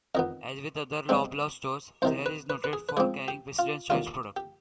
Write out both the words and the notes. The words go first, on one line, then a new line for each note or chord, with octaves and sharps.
As with other Loblaw stores, Zehrs is noted for carrying President's Choice products.
F2 D#3 B3 D#5
G2 D3 G#3 C4
C2 C3 D#3 C5
B4
B4
B4
G#4
B4
G#2 F3 C4 G#4
G4
F4
D#2 D3 G3 F4
G4